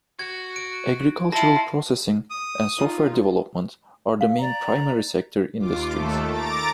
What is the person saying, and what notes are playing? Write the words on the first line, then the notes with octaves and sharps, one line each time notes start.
Agricultural processing and software development are the main primary-sector industries.
F#4 G#6
D7
E4 F4 A5 A#6
D#6
D#4 F4
F5
D5 A#5
D#2 F4 D6
D#2 A3 A4
A#5 D6 A6 D7